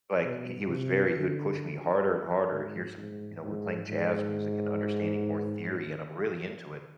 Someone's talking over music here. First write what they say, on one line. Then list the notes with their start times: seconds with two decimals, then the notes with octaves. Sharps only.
like he he was very he would push me harder and harder, here's some you know, we're playing jazz music and understanding more theory, and I'm really into it,
0.24 B2
0.69 C3
1.15 D3
2.52 G#2
2.97 G#2
3.44 G#2
3.88 G#2